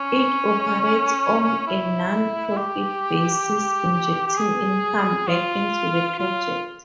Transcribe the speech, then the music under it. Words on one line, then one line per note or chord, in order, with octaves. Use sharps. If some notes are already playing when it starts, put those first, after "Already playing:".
It operates on a non profit basis, injecting income back into the project.
Already playing: C#4
E4
G4
G4
G#4
F4
F4